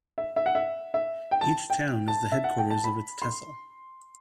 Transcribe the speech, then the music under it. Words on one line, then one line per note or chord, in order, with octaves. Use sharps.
Each town is the headquarters of its tehsil.
E5
E5
F#5
E5
E5
G5
A5
G5
A5
E5
F#5
G5
A5
B5
C6